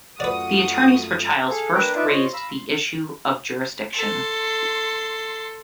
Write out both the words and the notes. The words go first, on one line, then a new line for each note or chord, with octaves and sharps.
The attorneys for Chiles first raised the issue of jurisdiction.
F#2 A3 F4 F#4 B4 D5 F#5 D#6
G#4 A4 F5
A#3 D4 B4 G5 A#5
D#4 F4 B4 D5 E5
F4 C5 C#5 D#5 F5
F5 A#5 B5 E6
C6
A4 C6